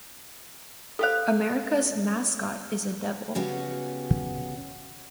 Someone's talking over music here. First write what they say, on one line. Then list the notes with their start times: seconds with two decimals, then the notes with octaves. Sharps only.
America's mascot is a devil.
0.99 B3 G4 A4 C5 F5
3.35 C#3 B3 C#4 F#4 G4